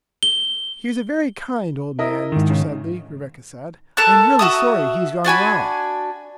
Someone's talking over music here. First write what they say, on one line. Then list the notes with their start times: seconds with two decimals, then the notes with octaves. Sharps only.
"He was a very kind old man, Mr. Sedley," Rebecca said; "I'm really sorry he's gone wrong."
0.23 G7
1.99 E4 A#4 D#5
2.32 G#2 D#3
2.50 C#3
3.97 A4 A#4 A5 F#6
4.39 F#4 E5 D#6
5.25 D4 F#4 G#5 B5